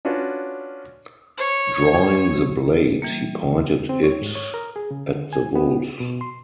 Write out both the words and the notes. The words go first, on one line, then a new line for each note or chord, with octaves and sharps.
Drawing the blade, he pointed it at the wolves.
C#4 D4 F4 F#4 B4
C#5
E3 G3 A#3
C4
C#5
G#2
C#5
A#4
G#4
C#3
D3
G#5
B3
B2
C6